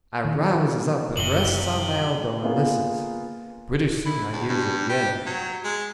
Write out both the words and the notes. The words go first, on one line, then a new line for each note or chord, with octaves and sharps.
I rouses up, and rests on my elbow and listens; pretty soon I hears it again.
D#3
F#1 C3 F#7 G7
A#3 B3 F4 G#4
E4
E2
G2
G4
F#3
G#3